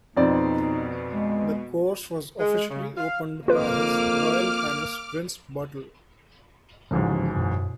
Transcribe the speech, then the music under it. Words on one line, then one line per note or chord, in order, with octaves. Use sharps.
The course was officially opened by His Royal Highness Prince Bertil.
F2 B2 C4 D#4 D5
G#3
G#3
C#3
F5
F2 A#3 F4 B4 D6 F6
D1 A1 G#2 C#3 F3 C#4
F#2 B2